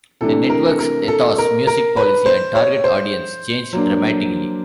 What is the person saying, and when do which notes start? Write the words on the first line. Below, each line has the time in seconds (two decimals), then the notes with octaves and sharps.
The network's ethos, music policy and target audience changed dramatically.
0.21 C3 E3 A3 D4 A4
0.49 A#4
0.70 A4
0.79 A#4
1.08 A4
1.38 A#4
1.67 A#4
1.97 B4
2.26 C5
2.55 C#5
2.84 C5
3.73 F#3 A#3 D4